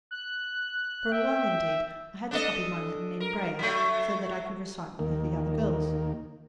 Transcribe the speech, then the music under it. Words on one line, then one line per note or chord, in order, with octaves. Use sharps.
For a while, indeed, I had to copy my Latin in braille, so that I could recite with the other girls.
F#6
E5 G5
D4 A4 D#5
A#4
F#3 A3
D#2 D#3 A#3